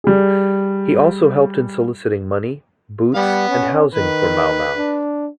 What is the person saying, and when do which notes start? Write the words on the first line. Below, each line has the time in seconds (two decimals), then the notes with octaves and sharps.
He also helped in soliciting money, boots and housing for Mau Mau.
0.04 G3 G#4
3.15 G3 B3 F#5
3.49 C#4
3.94 D#3 B4
4.77 D4